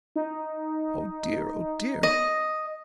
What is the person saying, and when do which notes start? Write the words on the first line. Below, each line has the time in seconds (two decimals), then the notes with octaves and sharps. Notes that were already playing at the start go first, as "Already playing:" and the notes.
Oh, dear, oh, dear!
0.16 D#4
2.03 D#5